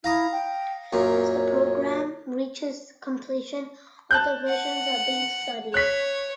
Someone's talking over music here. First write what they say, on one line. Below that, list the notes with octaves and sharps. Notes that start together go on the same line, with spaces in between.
As the programme reaches completion, other versions are being studied.
E4 F5 A#5 D#6
G5
F#2 A#2 C#5
A5 F#6 G6
F#5
C#5 F#6 B6